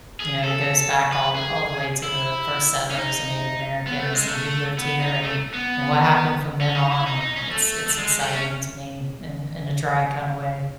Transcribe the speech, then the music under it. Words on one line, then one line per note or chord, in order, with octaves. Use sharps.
you know, it goes back all all the way to the first settlers and Native Americans and who lived here and and what happened from then on, and it's it's exciting to me in in a dry kinda way.
G#4
A4
B4
G#4
E4
C#4
D#4
B3
A3
G#3
A3
B3
D#4
A3
B3
C#4
D#4
E4
D#4
D#4
C#4
A3
A3
G#3
A3
C#4